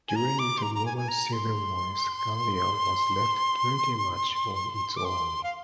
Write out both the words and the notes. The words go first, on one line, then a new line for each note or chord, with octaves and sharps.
During the Roman civil wars Gallia was left pretty much on its own.
G#5
A#5
D6
C6
A#5
A#5
G#5
G#5
A#5
C6
D6
C6
F5